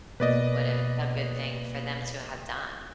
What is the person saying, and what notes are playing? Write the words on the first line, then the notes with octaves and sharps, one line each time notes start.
What a a good thing for them to have done."
B2 A#3 B4 D5 D#5